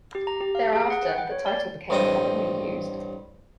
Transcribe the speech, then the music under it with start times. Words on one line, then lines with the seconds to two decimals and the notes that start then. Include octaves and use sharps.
Thereafter, the title became commonly used.
0.15 G4
0.27 A#5
0.41 G4
0.55 F5
0.73 G#4
0.90 F#5
1.03 B4
1.18 G5
1.31 C#5
1.46 D5
1.90 A1 G2 C4 A4 D#5 G5